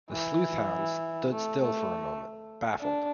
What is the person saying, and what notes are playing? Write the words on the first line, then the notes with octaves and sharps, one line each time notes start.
The sleuth-hound stood still for a moment, baffled.
E3
A3
A3
D4